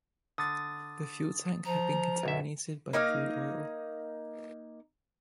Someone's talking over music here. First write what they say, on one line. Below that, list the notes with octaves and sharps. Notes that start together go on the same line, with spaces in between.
The fuel tank had been contaminated by crude oil.
D3 D#6 A6
F3 A#5
B1 F#2 E5
A#3 D#4 D#5 F5